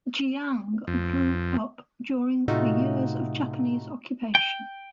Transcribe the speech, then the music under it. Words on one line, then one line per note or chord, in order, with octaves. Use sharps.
Jiang grew up during the years of Japanese occupation.
F2
A2 C3 A3 D#4 F4 F#4
G5